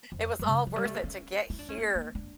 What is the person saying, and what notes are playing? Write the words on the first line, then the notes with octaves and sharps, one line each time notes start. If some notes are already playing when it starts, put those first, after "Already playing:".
It was all worth it to get here.
F2
F2
C#3
F3
G3
A3
A#3
C#4
E4
D4
C#4
A#3
A#3
D4